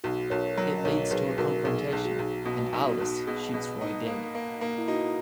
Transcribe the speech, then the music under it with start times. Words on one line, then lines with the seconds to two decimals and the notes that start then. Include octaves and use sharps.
It leads to a confrontation, and Arlis shoots Roy dead.
0.04 B1 F#4
0.30 B1 A#4 C#5
0.57 F#3 F#4 A#4
0.78 D#5
0.84 B1 A#4 C#5
1.11 B1 G#4 B4
1.38 B1 F#4 A#4
1.65 B1 G#4
1.93 B1 G#4
2.05 F#4
2.19 B1
2.45 B2 F#4
2.73 B1
2.87 F#4
3.00 B1
3.27 B2 G#4
3.54 B2
3.81 D#4
4.07 A#3
4.35 A#3
4.61 A#3
4.78 E4
4.88 D#4 F#4